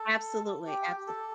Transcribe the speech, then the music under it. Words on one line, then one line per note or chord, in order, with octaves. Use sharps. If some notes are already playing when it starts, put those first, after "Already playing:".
Absolutely, abso
Already playing: A4
G4
A4